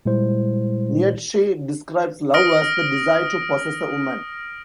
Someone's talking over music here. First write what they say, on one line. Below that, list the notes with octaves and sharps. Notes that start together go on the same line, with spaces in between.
Nietzsche describes love as the desire to possess a woman.
A#2 G3 G#3 E4 C5
D#6 F6 A#6 D7